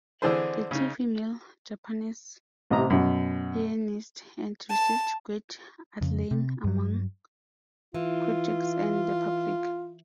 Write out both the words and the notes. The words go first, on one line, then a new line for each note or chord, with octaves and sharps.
The two female Japanese pianists and received great acclaim among critics and the public.
D3 E3 C4 D4 G#4 C5
C#3 D#4
A1 C3 D#5 A#5
F#2 B2
A5
F2 C#3
C3
G2 F#3
E3 F4